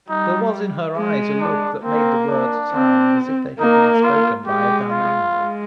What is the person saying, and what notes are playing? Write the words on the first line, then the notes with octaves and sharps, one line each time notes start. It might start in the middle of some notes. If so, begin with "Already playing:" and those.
There was in her eyes a look that made the words sound as if they had been spoken by a dumb animal.
G3 D#4
G#3
D4
A#3 C4
D4
C4
A#3 D#4
F4
G#3 G4
F4
G#3